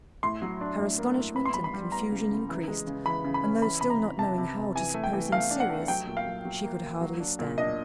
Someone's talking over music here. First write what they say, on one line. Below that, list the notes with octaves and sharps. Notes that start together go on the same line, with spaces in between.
Her astonishment and confusion increased; and though still not knowing how to suppose him serious, she could hardly stand.
A2 C6
F#3
D4
A2
A#3
A2
B3 B5
C6
G3 B5
B5
G3
B3 A#5
C#3
C#3
E3
G#3
C#3
E3 B5
C#3
B5
C#4
E3 B5
C3 B5
A#5
E3
C3 A5
C3
C3
E3 G#5
A3
G5
E3
A3 F5
D4
F#5
A3
F#3 G5
A#2
F5
F#3
F#3
A#3
A#3
F#3
D4
A#2
D4 D#5